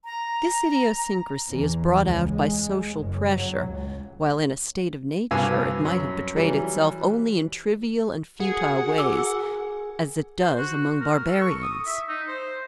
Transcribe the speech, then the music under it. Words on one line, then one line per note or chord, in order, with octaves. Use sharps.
This idiosyncrasy is brought out by social pressure, while in a state of nature it might have betrayed itself only in trivial and futile ways, as it does among barbarians.
A#5
E2
C#2
G#3
F#1
F#3
C#2
C2 G2 B2 F5 G#5 E6
F#2
E3 F#3 G3
F#4 G#4 A#4 F#5
D6 E6
C5
F#4
A#4
A4
C#6
D#6
E5
D#4
C5